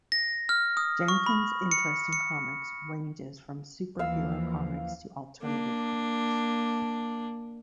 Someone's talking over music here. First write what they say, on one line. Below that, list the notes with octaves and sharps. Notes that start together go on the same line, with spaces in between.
Jenkins' interest in comics ranges from superhero comics to alternative comics.
A#6
F6
D#6
C#6
B5
C#7
C#7
D#2 E3 F3 F5 E6
A#3 D4